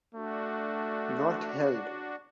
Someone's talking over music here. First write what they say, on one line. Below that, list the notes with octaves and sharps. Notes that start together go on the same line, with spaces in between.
Not Held.
A3 D4 F#4